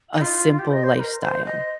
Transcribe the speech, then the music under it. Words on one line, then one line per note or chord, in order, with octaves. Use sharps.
a simple lifestyle.
D#4
F4
G4
D#5
C5
C5
A#4
C5
D#5